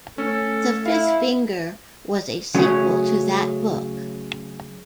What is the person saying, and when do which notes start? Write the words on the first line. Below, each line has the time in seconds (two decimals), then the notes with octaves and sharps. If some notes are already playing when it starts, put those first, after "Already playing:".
"The Fifth Finger" was a sequel to that book.
0.18 A3 C#4 A4
0.86 E4 F5
2.55 C#3 F#3 A3 C#4